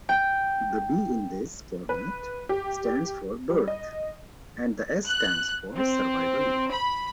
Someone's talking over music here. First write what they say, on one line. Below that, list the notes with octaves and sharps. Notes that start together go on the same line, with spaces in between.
The "B" in this format stands for "birth" and the "S" stands for "survival".
G5
B4
G4
G3
D#5
F#6
C4
B5